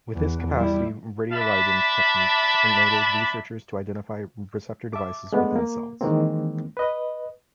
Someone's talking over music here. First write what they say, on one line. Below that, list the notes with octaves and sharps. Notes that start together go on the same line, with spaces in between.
With this capacity radioligand techniques enabled researchers to identify receptor devices within cells.
E2
G3 E4
D4 E5 A5 B5
E5 A5 D6
G#3 A3 B3 D4
A#3
D#3 E3 G#3 A#3 C4
B4 D#5